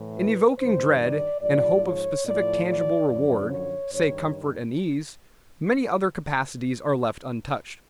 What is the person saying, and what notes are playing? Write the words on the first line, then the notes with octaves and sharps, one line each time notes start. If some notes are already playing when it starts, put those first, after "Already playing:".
In evoking dread and hope of specific tangible reward--say comfort and ease--many other capacities are left untouched.
Already playing: A2 E3
B4
G2 D#3 C5
D5
G#2 F3 D5
C#5
A2 F3 D5
D5
F#2 D3 F3 D5
C#5
G2 D#3 C#5